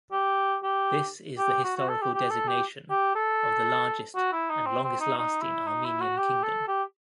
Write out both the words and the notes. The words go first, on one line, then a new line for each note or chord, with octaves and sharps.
This is the historical designation of the largest and longest-lasting Armenian kingdom.
G4
G4
G4
F#4
F#4
A4
G4
G4
A4
G4
G4
A4
F#4
E4
D#4
C4
C4
D#4
D#4
E4
D#4
E4
F#4
G4
A4
G4